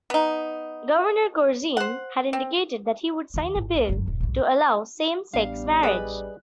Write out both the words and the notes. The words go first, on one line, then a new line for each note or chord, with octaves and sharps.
Governor Corzine had indicated that he would sign a bill to allow same-sex marriage.
B3 D#4
C5 F#5
C4
D#2 D#3
G#1
C2
G1 F#2
D#1
B1 G#2
A1 G3 B3 D4 F5
G#4 B4 D5 D#5